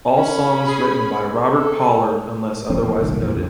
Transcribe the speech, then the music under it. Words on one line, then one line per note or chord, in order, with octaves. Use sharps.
All songs written by Robert Pollard unless otherwise noted.
C#4 B5
G#4
A4
F#1 F3 C4 C#4
E1 E2 A#3
G1 C2 D#3
F2 A#2 E3
B1 F2 D3